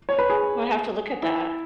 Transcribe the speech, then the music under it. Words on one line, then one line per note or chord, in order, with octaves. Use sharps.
I'm gonna have to look at that.
C#5
B4
G#4
E4